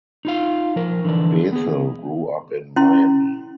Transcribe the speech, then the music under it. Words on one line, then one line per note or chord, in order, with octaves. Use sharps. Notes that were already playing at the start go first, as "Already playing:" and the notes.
Bethel grew up in Miami.
D#4 F4 F5
F3 A#4
D3 E3 D4
B3 G#4
C#4 E4 C6